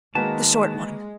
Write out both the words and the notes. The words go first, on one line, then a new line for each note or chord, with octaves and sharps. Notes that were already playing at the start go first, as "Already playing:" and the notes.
"The short one."
D#3 G#3 A#3 F#4 B4 A5